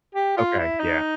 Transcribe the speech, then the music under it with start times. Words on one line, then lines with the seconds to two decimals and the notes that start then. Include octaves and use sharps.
Okay. Yeah.
0.15 G4
0.37 F4
0.59 E4
0.80 D#4